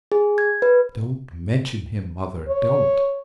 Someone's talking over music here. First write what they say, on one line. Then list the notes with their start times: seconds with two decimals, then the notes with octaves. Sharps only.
'Don't mention him, mother, don't!'
0.12 G#4
0.38 G#6
0.62 B4
2.49 C#5